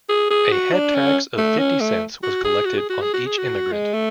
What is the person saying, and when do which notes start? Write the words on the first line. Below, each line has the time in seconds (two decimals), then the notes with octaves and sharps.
A "head tax" of fifty cents was collected on each immigrant.
0.09 G#4
0.31 G#4
0.52 F#4
0.73 D4
0.95 C#4
1.38 A3
1.58 C#4
1.81 A3
2.23 F#4
2.44 G#4
2.65 F#4
2.78 G#4
2.90 F#4
3.02 G#4
3.14 F#4
3.27 G#4
3.38 F#4
3.73 G#3
3.94 A3